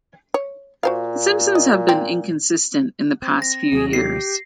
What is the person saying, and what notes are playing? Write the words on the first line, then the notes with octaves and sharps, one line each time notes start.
The Simpsons have been inconsistent in the past few years.
C#5
A#2 F#4 C5 F5
D#5
C4
C4
A#6
D#2 C3 F#3 G#4
G4 C7